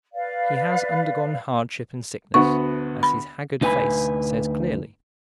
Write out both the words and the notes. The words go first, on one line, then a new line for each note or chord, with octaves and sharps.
He has undergone hardship and sickness, as his haggard face says clearly.
B4 D5 F5
D2 B3 F#4 C#6
B5
D2 D#4 B4 G5 G#5 B5